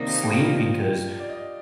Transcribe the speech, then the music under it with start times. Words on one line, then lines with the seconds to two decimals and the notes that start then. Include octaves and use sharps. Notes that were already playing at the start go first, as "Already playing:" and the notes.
sleep, because
Already playing: C3 D#3 A#3 D4 D#4
0.23 G4
0.34 F4
0.81 G4
1.20 D5
1.28 D#5